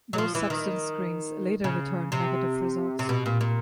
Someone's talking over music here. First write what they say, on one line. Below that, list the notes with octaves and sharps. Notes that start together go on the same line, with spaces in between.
Those substance screens later returned negative results.
F#3
F3
E3
D#3
C#3
C3
C3
B2
A#2
A#2